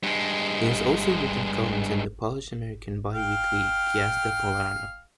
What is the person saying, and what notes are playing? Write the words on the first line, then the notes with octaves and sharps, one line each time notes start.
He has also written columns in the Polish-American biweekly, "Gwiazda Polarna".
G2 G#3
F5 G5